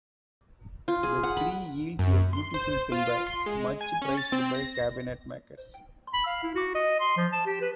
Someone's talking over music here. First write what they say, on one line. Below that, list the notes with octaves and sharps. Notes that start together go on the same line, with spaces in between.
The tree yields a beautiful timber much prized by cabinet-makers.
F4
G#4
F#5
B5
F#2
C6
C5
F4
C6
G#3
G#5
C#4
A6
C4
A#6
B5
F5
E4
F#4
D#5
C6
F3
A5
G4
B4